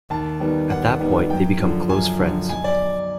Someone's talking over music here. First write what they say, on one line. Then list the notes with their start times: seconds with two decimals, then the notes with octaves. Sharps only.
At that point, they become close friends.
0.10 D#2 A5
0.40 D#3 G3 B3
0.70 D#2 F#5
1.00 D#3 G3 B3
1.30 F#2 G5
1.60 D3 F3
1.89 F#2 G#5
2.20 D3 F3
2.49 B1 G#5
2.64 D5